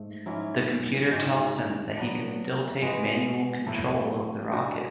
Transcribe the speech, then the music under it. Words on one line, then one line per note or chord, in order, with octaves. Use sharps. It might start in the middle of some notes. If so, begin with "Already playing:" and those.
The computer tells him that he can still take manual control of the rocket.
Already playing: G#2 A3
G#2 F#3 C#4 E4
G#2 G#3 C#4 F#4
F#3 B3 D4
G#3 B3 F#4
A2 F#3 A3 E4
G#3 D4 F#4